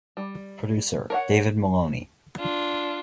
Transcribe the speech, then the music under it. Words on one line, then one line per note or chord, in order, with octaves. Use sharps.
Producer: David Maloney.
G3
A#4 C#5 F#5
D4 F4